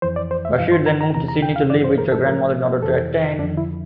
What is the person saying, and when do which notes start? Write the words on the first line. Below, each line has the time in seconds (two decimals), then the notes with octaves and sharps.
Bashir then moved to Sydney to live with her grandmother in order to attend.
0.02 F2 E3 C5
0.16 D5
0.31 C5
0.45 E5
0.58 G2 E3 F5
0.72 C6
0.86 A#5
1.01 A#5
1.14 E2 C3 E3 A#5
1.28 A#5
1.42 G5
1.56 F5
1.70 G2 E3 D5
1.84 C5
1.98 A#4
2.12 A4
2.26 A2 F3 A#4
2.83 F2 C3 E3 A4
3.39 F2 D3 F3 D4
3.57 E4